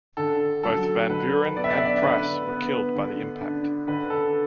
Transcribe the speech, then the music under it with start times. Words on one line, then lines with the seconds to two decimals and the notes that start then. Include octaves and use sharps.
Both Van Vuuren and Pryce were killed by the impact.
0.17 D3 A4
0.63 F#3 A4
1.10 D3 B4
1.56 B3 D5
1.64 E5
1.70 D5
1.77 E5
1.85 D5
2.02 D3 B4
2.49 B3
2.95 D3
3.41 D4
3.87 D3 B4
4.10 A4